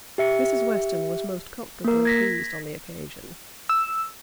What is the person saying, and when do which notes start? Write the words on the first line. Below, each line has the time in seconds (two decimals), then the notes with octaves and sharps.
Mrs. Weston was most comfortably pleased on the occasion.
0.18 G4 E5 C#7
1.85 A#3 A#4
2.05 G#6 A#6 B6
3.69 E6